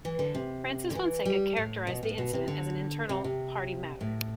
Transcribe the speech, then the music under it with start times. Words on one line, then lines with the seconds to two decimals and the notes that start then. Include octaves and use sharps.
Francis Fonseca characterized the incident as an internal party matter.
0.05 E3
0.19 D3
0.35 C3
0.90 D3
0.95 E3
1.25 G3
1.57 A2
1.87 B2
2.03 A2
2.18 B2
2.33 C3
2.48 D3
3.09 C3
3.24 C3
4.01 A2